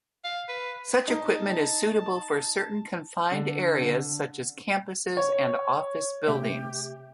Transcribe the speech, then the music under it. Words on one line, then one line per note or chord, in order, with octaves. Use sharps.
Such equipment is suitable for certain confined areas, such as campuses and office buildings.
F5
B4
D#4 A5
D3
D3
C#5
C3 A3 G4 E5